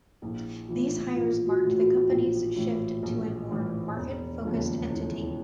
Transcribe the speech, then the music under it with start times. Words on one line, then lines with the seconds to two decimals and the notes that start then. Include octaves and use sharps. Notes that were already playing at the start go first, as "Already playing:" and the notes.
These hires marked the company's shift to a more market focused entity.
0.22 A#1 E4
0.69 A2 E3 F4
1.16 A#1 F4
1.47 F#4
1.62 A2 E3
1.78 F#4
2.09 A#1 F4
2.56 A2 E3
3.03 A#1
3.49 A2 E3
3.96 E1
4.43 D#2 C#3 F3 G#3
4.90 E1 E4
5.21 E4